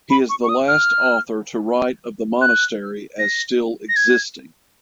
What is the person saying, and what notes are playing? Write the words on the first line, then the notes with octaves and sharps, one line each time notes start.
He is the last author to write of the monastery as still existing.
B5
C#6
C#6
D#6
F6
F#6
A#6
A#6
G#6